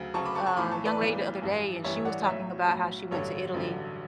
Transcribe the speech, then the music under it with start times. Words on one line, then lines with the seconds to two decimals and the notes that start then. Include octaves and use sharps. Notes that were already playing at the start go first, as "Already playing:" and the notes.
a young lady the other day, and she was talking about how she went to Italy.
Already playing: D2 C#3 F#3
0.14 D2 C#3 F#3 A5 C#6
0.25 B5 D6
0.35 A5 C#6
0.46 A5 C#6
0.57 B1 A2 E3 B5 D6
0.72 A5 C#6
0.85 B4 D5
0.99 B1 A2 E3
1.42 A1 G2 E3
1.84 A1 G2 E3 C#5 E5
2.05 D5 F#5
2.26 B1 A2 F#3 C#5 E5
2.68 B1 A2 F#3
3.11 A1 G2 D3 F#3 C#5
3.54 A1 G2 D3 F#3